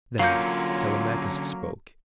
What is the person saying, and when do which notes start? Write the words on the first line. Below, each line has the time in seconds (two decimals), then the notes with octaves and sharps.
Then Telemachus spoke.
0.19 D3 F#3 A#3 C#4 F4 F5 G6